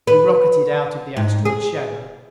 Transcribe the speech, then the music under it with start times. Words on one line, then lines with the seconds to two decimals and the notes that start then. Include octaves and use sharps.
We rocketed out of the asteroid's shadow.
0.07 B4
1.17 G#2
1.45 G#4